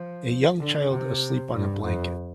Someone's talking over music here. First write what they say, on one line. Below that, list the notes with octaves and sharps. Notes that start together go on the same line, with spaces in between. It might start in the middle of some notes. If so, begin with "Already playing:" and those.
A young child asleep on a blanket.
Already playing: F3
D3
C3
G2
F2